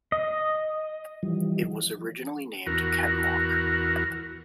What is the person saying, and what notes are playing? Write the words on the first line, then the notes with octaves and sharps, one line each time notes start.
It was originally named Kenlock.
D#5
E3 F3 G3
E2 F#4 A#4